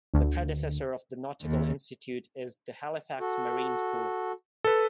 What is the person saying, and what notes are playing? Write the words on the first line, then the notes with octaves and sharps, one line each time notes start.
The predecessor of the Nautical Institute is the Halifax Marine School.
D2
D#2
F#4 A4
A4 B4